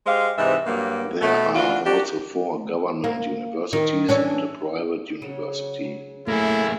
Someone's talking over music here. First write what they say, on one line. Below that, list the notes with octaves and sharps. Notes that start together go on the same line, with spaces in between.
There are also four government universities and a private university.
G#3 G4 C5 F5
G#2 C3 E3 D#4 E5
G2 F#3 A#3
B2 A3
E3 D4 F4 F#4
D4 F#4 G4
A#3
D#3
E3 C#4 D4
C#3 F#3
A3 A#3 E4 G#4